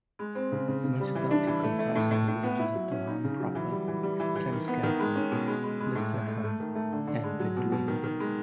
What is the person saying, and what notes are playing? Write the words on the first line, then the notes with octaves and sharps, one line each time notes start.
The municipality comprises the villages of De Haan proper, Klemskerke, Vlissegem and Wenduine.
G#3
C4
C#3
C#3
C#3
G3
E3
D4
E3
A3
A3
A2
A2
A2
B3
E4
F#3
C#4
D#4
C#3
F#3
E3
G3
E3
G3
E3
E3
D#3
B3
D#3
G#3
C#4
B2
G#3
G#3
G#3
A2
A3
A3
A3
D#3
A3
D3
D3
G#3
F#3
B2
B2
D#3
D#3
G#3